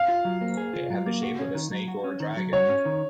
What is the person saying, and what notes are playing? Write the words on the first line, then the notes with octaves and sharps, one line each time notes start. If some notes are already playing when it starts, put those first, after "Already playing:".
It had the shape of a snake or a dragon.
Already playing: F5
F4
F#3
A#3
G#4
F4
F#3
A#3
F#4
C#4
D#3
F#3
F#4
C#4
D#3
F#3
F#4 C#5
C#4
D#3